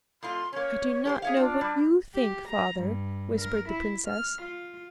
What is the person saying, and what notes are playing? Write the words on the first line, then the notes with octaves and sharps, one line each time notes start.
"I do not know what you think, Father," whispered the princess.
F2 A3 F4 C6
A#3 C#4 C#5
G4 A#4 C5
G#4 C#5 E5 F5
D4 F4
G3
G4
A#5
G2
A#4
E4
F6
F4